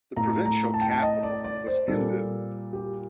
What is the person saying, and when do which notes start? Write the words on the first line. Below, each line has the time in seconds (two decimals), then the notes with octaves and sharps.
The provincial capital was Embu.
0.17 A2 A3 A#5
0.45 A#5
0.74 A5
0.81 G5
0.91 A5
1.02 D#5
1.23 D5
1.44 D5
1.66 C5
1.88 A#2 G3 A4
2.73 G4